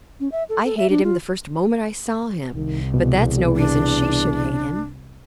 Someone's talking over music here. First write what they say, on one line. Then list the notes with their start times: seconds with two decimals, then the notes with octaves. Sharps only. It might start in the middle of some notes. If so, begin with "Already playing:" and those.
I hated him the first moment I saw him; but that's no reason she should hate him.
0.20 C#4
0.32 E5
0.49 A4
0.65 A4
0.77 E5
0.90 D4
1.03 F4
2.55 C2 D#3
2.94 E2 B2
3.56 D4